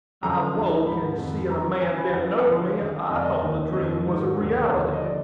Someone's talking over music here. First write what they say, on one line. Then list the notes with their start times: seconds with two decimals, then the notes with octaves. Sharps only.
"I woke, and seeing a man bending over me, I thought the dream was a reality."
0.23 F#2 D3 F3 A#5
0.55 D2 D3 F3
0.86 G#2 F3 B5
1.18 F2 D#3
1.50 F#2 D#3 A#5
1.81 F#2 G#5
1.87 F3
1.97 B5
2.07 F5
2.14 F#2 F3 F#5
2.40 F#5
2.46 D2 D3 F3 F5
2.77 F#2 D#3
3.09 F2 D3 F3 D#5
3.16 D5
3.25 D#5
3.42 D#2 D#3
3.73 F2 D#3 D#5
4.06 G#2 D#3
4.37 D#2 D3 F3
4.69 D#2 D3 F3
4.93 D#5
5.00 D3 F3 D5